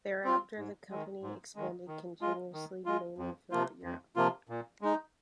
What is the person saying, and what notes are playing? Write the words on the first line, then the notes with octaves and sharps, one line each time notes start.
Thereafter, the company expanded continuously and mainly throughout Europe.
C4 F4
G#2
D#3 G#3
G#2
D#3 G#3
D#3
G#3 F4
D#3
G#3 F4
F2
C3 F3 A#3 F4
F2
C3 F3 A#3 F4
A#2
G#3 D#4